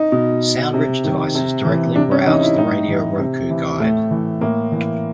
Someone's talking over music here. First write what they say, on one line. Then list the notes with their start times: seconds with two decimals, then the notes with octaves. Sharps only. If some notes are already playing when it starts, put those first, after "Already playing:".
SoundBridge devices directly browse the Radio Roku guide.
Already playing: D#4
0.12 B2
0.73 C3
1.04 D#3
1.35 C3
1.65 E3
1.95 C3 D4
2.11 C#4
2.27 E3 D#4
2.42 E4
2.57 A2 D#4
2.88 E3
3.19 C3
3.50 E3
3.80 A2 A3
4.11 E3
4.41 A2 A#3
4.72 E3